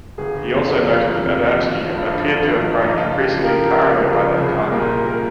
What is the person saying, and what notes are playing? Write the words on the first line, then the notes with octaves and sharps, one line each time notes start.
He also noted that Adamski appeared to have grown increasingly paranoid by that time.
G1 G#4
F2 C3
G1 F4
F2 C3
G#1 F4
G2 F3
G#1 F4
G2 F3 D#4
D#4
C#2 F4
G4
C#3 F3
A#4
C#2
A#4
C#3 F3
F4
C2 G#4
A#2 G3 A#4
A#4